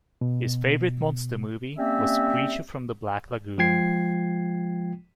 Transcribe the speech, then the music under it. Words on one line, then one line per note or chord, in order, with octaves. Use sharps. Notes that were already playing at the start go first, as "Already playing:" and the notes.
His favorite monster movie was "Creature from the Black Lagoon".
B2
G3 A#3 C4 C#4 E5
F3 G#3 F4 G5 G#6 C7